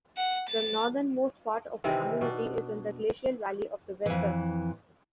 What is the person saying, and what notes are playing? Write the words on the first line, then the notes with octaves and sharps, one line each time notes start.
The northernmost part of the community is in the glacial valley of the Weser.
F#5
A6
C3 D#3 E3 C4
B2 D4
F2 E3